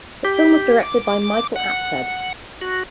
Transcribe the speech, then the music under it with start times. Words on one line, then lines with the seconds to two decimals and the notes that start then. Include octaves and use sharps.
The film was directed by Michael Apted.
0.25 G4
0.83 D6
1.56 F#5
2.61 F#4